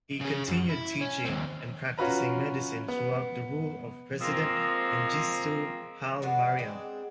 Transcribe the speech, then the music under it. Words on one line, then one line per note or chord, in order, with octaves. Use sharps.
He continued teaching and practicing medicine throughout the rule of President Mengistu Haile-Mariam.
C#3 G#4
F#2
E4
C#4
D#2 C4
C#4 F4 F#4 B4 A#5
B3
F3 G#3 A#3 C4
B3 D4 F#4 G#4
G#3 C4 D4